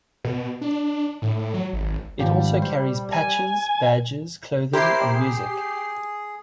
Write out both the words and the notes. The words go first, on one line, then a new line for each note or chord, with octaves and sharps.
It also carries patches, badges, clothing and music.
B2
D4
A2
F#3
G#1
G#1 F3 G3 G4
C5
G#5
E4 G4 A#4 C5 C7
G#4